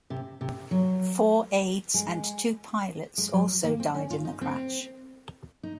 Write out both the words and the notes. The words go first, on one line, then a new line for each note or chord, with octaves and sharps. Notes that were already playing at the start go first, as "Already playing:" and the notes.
Four aides and two pilots also died in the crash.
C3
C3
F#3
G#3
G#3
F#3
A#3
C4
C#4
F4
D#4
C4
D#4